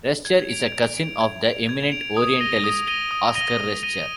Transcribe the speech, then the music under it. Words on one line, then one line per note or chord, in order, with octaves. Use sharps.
Rescher is a cousin of the eminent orientalist Oskar Rescher.
G#6
D7 F7
G#6
D7 F7
G#6
D7 F7
G#6
D7 F7
D#6
A#6 D#7 G7
D#6
A#6 D#7 G7
D#6
A#6 D#7 G7
D#6
A#6 D#7 G7